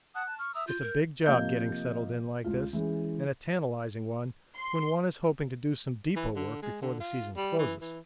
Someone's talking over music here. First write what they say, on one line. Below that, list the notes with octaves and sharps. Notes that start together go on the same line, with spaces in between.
It's a big job getting settled in like this and a tantalising one when one is hoping to do some depot work before the season closes.
F#5 A5 D#6 F#6
A5
C#6 F6
E5 A#5 D#6 E6
F4 G6
A#4
C3 F3 A#3 D#5 F5 G6
C#2 F4
E3 G#3 C#4
C6
E3
D3
G#3
D3
F4
G3
E3
E3